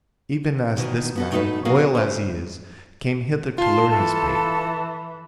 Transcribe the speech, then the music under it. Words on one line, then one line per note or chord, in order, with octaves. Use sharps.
Even as this man, loyal as he is, came hither to learn his fate.
B2 D#3 E3
B3 F#4 A4
F#3 A3 D#4 F4 A4 B4
F#3 B3 F#4 G#4 A#4 F5
C#4 C5
F4 A5 C6
E3 A4